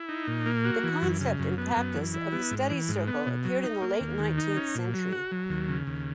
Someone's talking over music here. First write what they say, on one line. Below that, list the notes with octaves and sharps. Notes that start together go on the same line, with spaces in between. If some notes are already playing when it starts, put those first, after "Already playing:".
The concept and practice of the study circle appeared in the late nineteenth century.
Already playing: E4
D#4
A#2
A#3
F#4
E3
F#2
C#3
F#2
B3
F#2
E3
E4
B3
G#2
E3
G#2
B3
B2
F#3
D#4
A#3
D#2
D#3
D#4
C#4
A#2
F#3
F#4
F#3
D#2
C#3
D#2